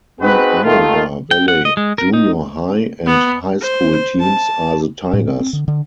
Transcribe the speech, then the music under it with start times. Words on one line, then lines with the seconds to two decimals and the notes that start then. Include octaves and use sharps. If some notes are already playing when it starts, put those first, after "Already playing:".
The Iowa Valley Junior High and High School teams are the Tigers.
0.21 C4 D#4 F#4 G#4 B4
0.64 D#3 A3 F4
1.31 G5
1.48 F#5
1.65 D#5
1.77 G#3
1.98 A#4
2.13 D#4
3.06 B3
3.61 C5
4.20 A5
5.13 A2
5.28 C4
5.40 C4
5.53 D3
5.68 D3